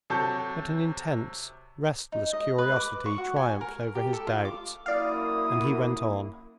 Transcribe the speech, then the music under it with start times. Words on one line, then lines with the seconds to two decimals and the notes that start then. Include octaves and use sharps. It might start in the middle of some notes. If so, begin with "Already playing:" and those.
But an intense, restless curiosity triumphed over his doubts, and he went on.
0.10 C3 F#3 A4 A5 C#6 G6
2.12 D#4
2.33 D#5
2.58 B4
2.76 D6
3.06 C#6
3.18 F#4
3.36 G#5
3.61 A#4
3.95 G4
4.13 A4
4.27 F4
4.45 D6
4.86 F#2 A#3 E4 D5 F5 D#6